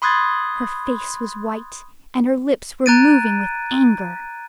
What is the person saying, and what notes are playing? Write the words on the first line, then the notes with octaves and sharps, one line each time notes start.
Her face was white and her lips were moving with anger.
B5 C6 D#6 F#6 G#6 A6
A#5 F#6 G#6 A6 D7 D#7